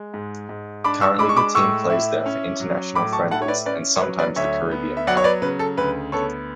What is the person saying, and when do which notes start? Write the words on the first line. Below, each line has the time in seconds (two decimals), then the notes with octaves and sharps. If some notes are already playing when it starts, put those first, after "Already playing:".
Currently the team plays there for international friendlies and sometimes the Caribbean Cup.
Already playing: G#3
0.14 G#2
0.49 G#2
0.84 D4 B5 D6
1.01 C#6 E6
1.19 G#3 B5 D6
1.29 C#6
1.36 B5 D6
1.55 A2 C#6 E6
1.90 E4
2.26 C#4
2.60 F#3
2.95 A2 B5 D6
3.13 A5 C#6
3.31 E4 F#5 A5
3.42 C#5
3.48 B4 D5
3.66 C#4 B4 D5
3.96 C#5
4.01 F#3 B4
4.19 B4 D5
4.36 D2 C#5 E5
4.71 B3
4.97 E5
5.07 F#3 D5 F#5
5.17 C#5
5.24 B4 D5
5.42 C#3 B4
5.59 A4
5.77 D2 B4
6.12 B3 A4 C#5